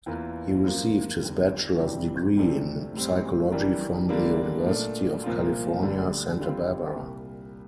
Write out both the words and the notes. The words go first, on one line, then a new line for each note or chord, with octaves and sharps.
He received his bachelor's degree in psychology from the University of California, Santa Barbara.
E2 E3 A#3 F4 A#4
G2 F3 A#3 F4
E2 D3 G3
F2 C3 E3 G3 D4
D2 C3 F3 A3 D4
A2 G3 C4
E3 G3 D4 G4 A#4
D3 G3 A#3 D4
A#2 A3 D4
C2 A#2 F3 A#3 F4
D2 D3 G3 D4
D3 G3 C4 F4
C2 A#2 G3